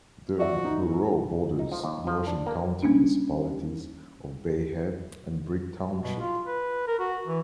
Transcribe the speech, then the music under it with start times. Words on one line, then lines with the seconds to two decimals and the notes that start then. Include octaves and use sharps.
The borough borders the Ocean County municipalities of Bay Head and Brick Township.
0.39 F#4 D5 E5
0.53 F3
0.65 D#4
1.59 D#4
1.72 F3
1.84 D#2
2.07 F3
2.27 D4
2.46 A#3
2.83 G3 A#3 C#4 D4
6.00 B2
6.20 F4
6.46 B4
6.88 A#4
7.00 F#4
7.27 E3